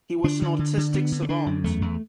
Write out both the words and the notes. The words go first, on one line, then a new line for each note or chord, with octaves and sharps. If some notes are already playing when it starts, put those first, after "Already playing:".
He was an autistic savant.
D3 D4
D3
D3
D3
D3 B3
D3
B3
D3 D4
F#2
E2 A3
E2